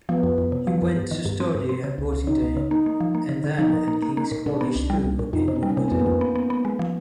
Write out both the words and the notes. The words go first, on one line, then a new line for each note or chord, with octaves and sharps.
He went to study at Rottingdean and then at King's College School in Wimbledon.
F3 B3
F2
F2
C3
F3
F2
G2
D#3
G2
C4
G2
C4
C#3
C#2
C#2
C#3 D#4
C#2
C#3
A#3 D#4
A#3
F3
A#3
D3
D3
F3 D#4
A#2
A#3
A#3
A#3
A#2
A#2 D4
B3
C2
G3
C2
A#2
F2 D#4
C3
C#4
G3
C#4
C3 C4
F2 B3
A#3
F2
B3
B3
B3
G#3
F3